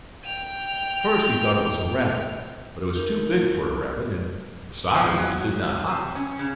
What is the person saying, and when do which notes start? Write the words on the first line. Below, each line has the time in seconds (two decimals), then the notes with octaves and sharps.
At first he thought it was a rabbit; but it was too big for a rabbit, and besides, it did not hop.
0.24 G5 F7
2.95 D4 D#4 A#4 G6 F7
4.94 F3
5.18 F#3
5.89 C3
6.15 C#4
6.39 C#3